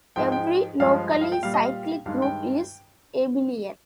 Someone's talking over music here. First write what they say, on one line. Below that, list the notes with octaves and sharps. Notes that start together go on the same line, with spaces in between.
Every locally cyclic group is abelian.
G#2 F3 G#3 G5
G5
G2 F3 G#3 F5
D#5
F5
G5
A#2 G3 F5
D#5
F5
G2 D#3 G#3 F5
G5